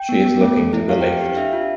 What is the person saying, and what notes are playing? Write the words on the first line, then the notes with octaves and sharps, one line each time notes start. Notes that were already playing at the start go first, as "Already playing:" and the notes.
She is looking to the left.
Already playing: G5
B3
B3
A3
A4
E4
G4 F5
G5
C4
G5
G4 F5
D4 E5
F4